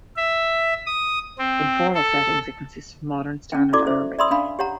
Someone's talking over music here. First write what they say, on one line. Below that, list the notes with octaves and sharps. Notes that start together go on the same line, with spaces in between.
In formal settings, it consists of Modern Standard Arabic.
E5
D#6
C4
A4
C#4 G5
D#4 E4 F#4 A4 D5 D6
A4 C5 E5
D5 E5 B5 C6 D#6 E6
D4 F5 B5
G4 C#5 F#5 A#5